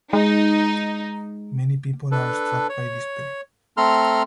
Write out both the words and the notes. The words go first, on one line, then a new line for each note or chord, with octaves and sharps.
Many people are struck by despair.
G#3 D#4
D4 A4 B4
C#5
A3 C4 A4 A#5 C6 F6